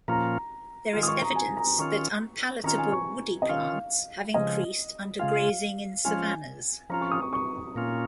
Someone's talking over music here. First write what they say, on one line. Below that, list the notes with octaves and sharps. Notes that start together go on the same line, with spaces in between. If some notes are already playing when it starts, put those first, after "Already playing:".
There is evidence that unpalatable woody plants have increased under grazing in savannas.
A#2 F3 A#3 C#4 F4 A#5
D#3 G#3 F4
D#6
C#6
A#5
G#5
A#5
D#3 C#4 F4 C#6
D#3 C#4 F4 A#5
G#5
C#6
D#5
D#3 C#4 F4 F5
C#3 F3 G#3 D#5
C#3 G#3 F4 F5
F3 G#3 C#4 F4 G#5
F3 C#4 F4 A#5
C#6
D#6
C#6
C#6
A#2 A#3 C#4 F4